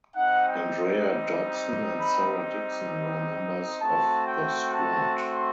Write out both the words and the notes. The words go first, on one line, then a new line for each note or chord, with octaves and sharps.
Andrea Dobson and Sarah Dixon were members of the squad.
G3 C4 D#4 F#5
G5
B5
A3 C4 F#4 A5
G5
A5
C6